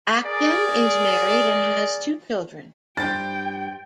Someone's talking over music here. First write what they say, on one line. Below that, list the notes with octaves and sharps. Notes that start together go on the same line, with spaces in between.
Acton is married and has two children.
G#4 A#4 D5
G2 G4 C5 G5 A6